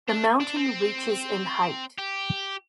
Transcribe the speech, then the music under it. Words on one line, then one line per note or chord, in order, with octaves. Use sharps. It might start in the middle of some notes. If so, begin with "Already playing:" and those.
The mountain reaches in height.
D4
D4
C4
G4